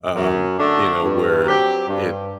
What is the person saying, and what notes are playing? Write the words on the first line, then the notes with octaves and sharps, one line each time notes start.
um, you know, where it
F#2
D3 A3 D4
G2
F#3 C4 G4
G2